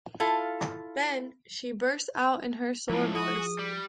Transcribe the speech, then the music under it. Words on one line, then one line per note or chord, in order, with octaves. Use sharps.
Then, she burst out in her sore voice.
E4 F4 A4 F5
C#2 A2 F3 E4
E4 F#4 D#6
G#4
G3